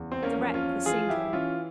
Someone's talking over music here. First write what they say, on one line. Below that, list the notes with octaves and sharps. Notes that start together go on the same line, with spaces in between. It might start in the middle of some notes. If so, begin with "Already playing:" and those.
The wreck was sinking.
Already playing: E2 C#3
C4
A#3 C#4
F3
C#4 F4
E3 F4 G#4
E4 G4
E3 C#4 F4